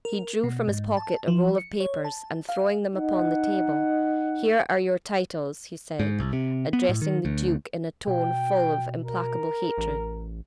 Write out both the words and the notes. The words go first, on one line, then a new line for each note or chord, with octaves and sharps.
He drew from his pocket a roll of papers, and throwing them upon the table: "Here are your titles," he said, addressing the duke in a tone full of implacable hatred.
A#4
B2
G#2
A5
F3
C#7
C#5
A5
F5
D#4 F#5
G#2
C2
C3
B3
A2
D#3
D2
B2 G5
A#4
A1